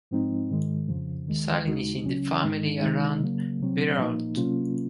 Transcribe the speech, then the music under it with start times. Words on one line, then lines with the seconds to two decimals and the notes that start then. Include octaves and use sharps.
Sailing is in the family around Breault.
0.11 G#2 F3 G#3 C4 D#4
0.50 G#2 D#3 G#3
0.88 F2 C#3 F3
1.27 D#2 D#3 G#3
1.66 D#2 C#3 G#3 D#4 F#4
2.05 C#2 C#3 F#3 C#4
2.43 G#2 D#3 G#3 D#4
2.82 C#2 C3 D#3 G#3 D#4
3.21 C#3 F#3 A#3
3.59 C2 C3 F#3 C4
3.98 A#2 F3 A#3 D#4
4.37 C3 F#3 A#3 C#4 F4